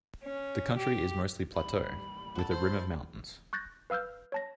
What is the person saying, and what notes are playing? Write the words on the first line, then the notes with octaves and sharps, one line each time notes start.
The country is mostly plateau with a rim of mountains.
C#4
G4
A1 D#2 G3 B5
F#4 A4
G#3 C5 G6 A6
C#6 F#6 G6 A6 A#6
B4 F5 E6 F6 G6
C#5 A5 A#6